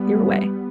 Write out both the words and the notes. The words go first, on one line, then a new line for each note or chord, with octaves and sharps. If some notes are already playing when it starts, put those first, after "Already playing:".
your way,
Already playing: G3 B3